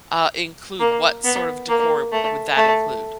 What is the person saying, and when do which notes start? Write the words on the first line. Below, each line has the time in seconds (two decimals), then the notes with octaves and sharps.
uh, include? What sort of decor would that include?
0.80 A#3
1.24 B3
1.69 A#3
2.12 A3
2.56 A3